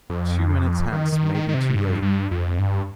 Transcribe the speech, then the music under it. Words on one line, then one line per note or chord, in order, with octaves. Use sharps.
Two minutes hence may be too late.
F2
D#3
D#3
D#3
D#3
C3
G2
G2
F2
G2